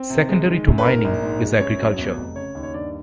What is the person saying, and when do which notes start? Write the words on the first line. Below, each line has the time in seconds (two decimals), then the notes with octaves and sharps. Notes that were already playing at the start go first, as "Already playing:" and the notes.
Secondary to mining is agriculture.
Already playing: C4
0.10 C3
0.29 G#3
0.48 D#3
0.67 F#2
0.78 B4
0.85 G#2 A#4
1.04 A#1
1.23 G#2
1.42 G#3
1.60 F#2 C#5
1.80 F#3
1.98 E2
2.17 F1
2.36 C#3 C#5
2.55 D#2
2.63 C#5
2.74 G2 D5